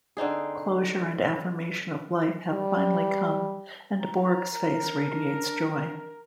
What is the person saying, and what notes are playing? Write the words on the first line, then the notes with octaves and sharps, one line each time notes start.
Closure and affirmation of life have finally come, and Borg's face radiates joy.
D3 C4 D#4 G#4
G3
A#5
A#4
D4